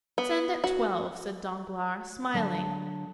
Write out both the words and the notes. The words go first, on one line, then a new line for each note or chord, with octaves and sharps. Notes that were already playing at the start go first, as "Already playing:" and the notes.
"Send at twelve," said Danglars, smiling.
B3
F#4
D3 F#3 E5 A5